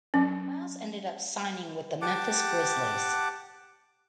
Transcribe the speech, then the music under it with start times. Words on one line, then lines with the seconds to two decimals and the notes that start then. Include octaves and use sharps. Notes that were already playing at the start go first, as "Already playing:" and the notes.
Miles ended up signing with the Memphis Grizzlies.
0.14 F#3 C#4
2.02 G4 F#5 A5 D6